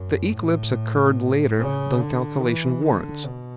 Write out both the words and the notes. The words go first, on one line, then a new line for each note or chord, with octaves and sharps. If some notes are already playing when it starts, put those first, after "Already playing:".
The eclipse occurred later than calculation warrants.
Already playing: F#2
A2
C#3
D3
E3
D3
B2